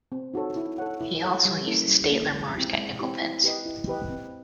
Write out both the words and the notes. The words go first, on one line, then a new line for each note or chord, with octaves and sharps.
He also uses Staedtler Mars technical pens.
C4
D#4 F#4 A4 C#5
E4
A4 C#5 F#5
E4
A4 C#5 F#5
G3
A#3 C#4 E4 A4
G3
A#3 C#4 E4 A4
G#3
C4 E4 G4
G#3
C4 E4 G4
E4
G4 B4 D#5
E4
G4 B4 D#5
C4